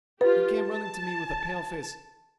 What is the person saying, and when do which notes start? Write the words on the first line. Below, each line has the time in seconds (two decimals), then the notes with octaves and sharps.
He came running to me with a pale face....
0.21 F4 G4 B4
0.57 A5